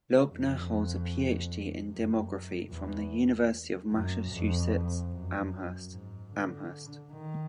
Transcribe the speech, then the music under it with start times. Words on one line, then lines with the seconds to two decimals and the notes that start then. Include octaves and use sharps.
Loebner holds a Ph.D. in demography from the University of Massachusetts Amherst, Amherst.
0.29 F2
1.89 F#2
2.70 E2
3.91 F#2
4.31 F2
5.11 F#2
5.92 G#2
6.32 D3
7.13 D#3